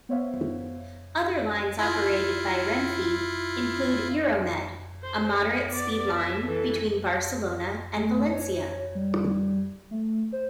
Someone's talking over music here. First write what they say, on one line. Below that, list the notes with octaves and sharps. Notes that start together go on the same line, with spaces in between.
Other lines operated by Renfe include Euromed, a moderate-speed line between Barcelona and Valencia.
B3 C5 C#5 E5 F5
E4 F4
C5
G#4
B3 D5
E5
E3 A4
A3
C#5
G3
A3
C5